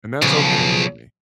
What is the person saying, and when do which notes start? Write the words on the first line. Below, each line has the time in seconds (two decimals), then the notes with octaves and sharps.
and that's okay with me.
0.22 B1 C#3 F3